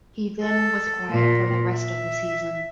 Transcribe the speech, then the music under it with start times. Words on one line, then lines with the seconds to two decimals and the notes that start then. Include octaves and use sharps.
He then was quiet for the rest of the season.
0.43 A4
1.11 A#2
1.71 E5